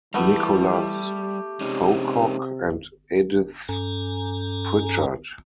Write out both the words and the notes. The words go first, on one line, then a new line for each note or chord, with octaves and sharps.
Nicholas Pocock and Edith Prichard.
E3 G3 A3 B3 G4
C3 G#3 C#4 D#4
G2 C#4 A4 G#5 A#5